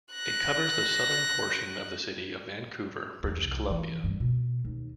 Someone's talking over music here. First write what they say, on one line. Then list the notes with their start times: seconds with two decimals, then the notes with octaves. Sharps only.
It covers the southern portion of the city of Vancouver, British Columbia.
0.13 F#6 A#6
3.23 E2
3.43 C2
3.70 E3
4.04 G2
4.20 B2
4.65 D#2